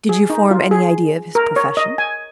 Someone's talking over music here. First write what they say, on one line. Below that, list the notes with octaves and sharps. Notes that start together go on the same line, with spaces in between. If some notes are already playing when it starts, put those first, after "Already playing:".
"Did you form any idea of his profession?"
G#4
D#4
F4
G#4
A#4
C#5
D#5
G#5